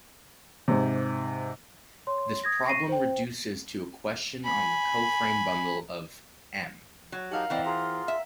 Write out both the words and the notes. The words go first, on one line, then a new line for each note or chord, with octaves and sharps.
This problem reduces to a question on the coframe bundle of "M".
G#2 C3
C#5 C6
D#6 G#6 A#6
C#6 A#6 C7 D#7
C5 G5
G#5 B5
F#3
D#4 G4 A#4 F5 F#5 A5
E3 C4 D5 D#5
F4 G#4 A#5 C6
E5